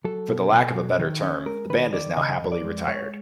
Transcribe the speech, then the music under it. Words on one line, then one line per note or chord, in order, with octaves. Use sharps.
For the lack of a better term, the band is now happily retired.
F#3 A4
B2
B2
F#3
D#3
C#4
G#3 A#4
D#3 B4
D#3 D5
C#3 D#5
F2
D5
G#3
G#3 C#5